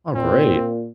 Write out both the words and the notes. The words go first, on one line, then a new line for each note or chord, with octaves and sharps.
Oh, great.
A#2 C4